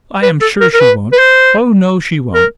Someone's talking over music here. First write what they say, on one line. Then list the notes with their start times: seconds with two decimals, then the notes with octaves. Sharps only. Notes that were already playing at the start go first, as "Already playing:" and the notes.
I am sure she won't. Oh, no, she won't.
0.23 B4
0.41 A4
0.61 A#4
0.74 A#4
0.80 B4
1.13 B4
1.19 C5
2.34 A#4